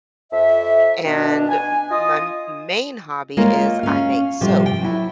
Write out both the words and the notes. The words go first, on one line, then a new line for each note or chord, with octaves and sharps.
and m my main hobby is I make soap.
F2 E5
B2 D4
G#5
F4 D#5 D#6
G#3 A#3 F4 A#4 C#5 F5
C#4 F5
A2 C3 F3 G3 C5
G5
F#3 E4